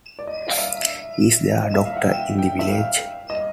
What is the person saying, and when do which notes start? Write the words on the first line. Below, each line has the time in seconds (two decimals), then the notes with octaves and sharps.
Is there a doctor in the village?
0.19 D5
0.27 D#5
0.48 F5
0.58 E5
1.63 D#5
1.74 E5
1.85 F5
1.97 F#5
2.09 G5
2.38 G5
2.59 E5
2.69 F5
3.30 D#5